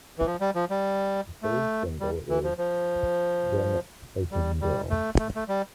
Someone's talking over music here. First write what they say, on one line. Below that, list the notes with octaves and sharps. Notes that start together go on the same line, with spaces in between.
The third single is "Jamaican Girl".
E3
F3
G3
F3
G3
A3
G3
E3
F3
F3
G3
G3
A3
A3
A3
G3